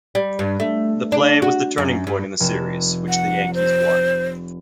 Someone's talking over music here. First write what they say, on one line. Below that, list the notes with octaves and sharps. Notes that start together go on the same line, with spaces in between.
The play was the turning point in the series, which the Yankees won.
G3
G2
A3
D4
F#4
F#2
G2
F1 E7
F#5
C5